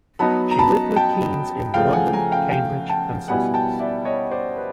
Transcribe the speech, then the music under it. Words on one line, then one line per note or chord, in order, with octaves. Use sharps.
She lived with Keynes in London, Cambridge and Sussex.
F#3 B3 D#4 A5 B5
A#5
A5 B5
G5 A5
C#3 F3 A3 F5 G5
F#5 G#5
G#5 A#5
F5 G5
F5 G5
G5 A5
B2 G3 B3 E4 F#5 G#5
G5 A5
D5 E5
C#5 D#5
C5 D5
B4